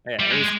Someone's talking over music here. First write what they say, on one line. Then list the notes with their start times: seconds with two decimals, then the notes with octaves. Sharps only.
Yeah, it was
0.20 G3
0.31 G#3